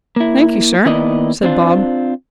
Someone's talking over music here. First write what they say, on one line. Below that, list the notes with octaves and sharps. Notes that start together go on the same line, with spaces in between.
'Thankee sir,' said Bob.
A#3 E4
D#3 A#3 B3 E4 D5 D#5
C4 D4 F4